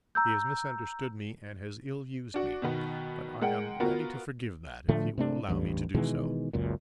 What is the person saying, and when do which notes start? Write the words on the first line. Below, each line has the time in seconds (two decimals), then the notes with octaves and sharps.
He has misunderstood me and has ill-used me. But I am ready to forgive that, if he will allow me to do so.
0.15 A#5 E6 G6
2.34 D4 F#4
2.62 B2 D#3 B3
3.41 G#3 A#4 F#5 G5
3.80 B3 F4 F#4 A#4
4.88 A2 D3 F3 A3
5.18 C3 A3 D4
5.49 A1 E2 G2
5.95 B2 D#3 E3 G#3
6.53 F#1 C#2 F#2 A#2